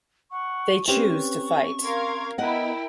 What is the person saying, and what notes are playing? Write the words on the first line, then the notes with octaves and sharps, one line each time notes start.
They choose to fight.
F#5 C#6
C4 C#4 G4 B4 C#6
A#4 F5 C6 G#6
B3 E4 A#4 D#5 F#5 G5